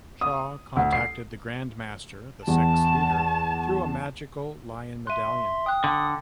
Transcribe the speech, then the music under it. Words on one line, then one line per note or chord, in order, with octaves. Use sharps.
Shaw contacted the Grand Master, the sect's leader, through a magical lion medallion.
D#6
D2
C7
E2 A5
E5 C6 F#6 D#7
G5 D#6 F#6
D3